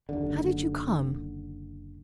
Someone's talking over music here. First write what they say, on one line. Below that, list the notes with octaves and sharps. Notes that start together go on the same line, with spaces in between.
How did you come?
F#1 D#2 D3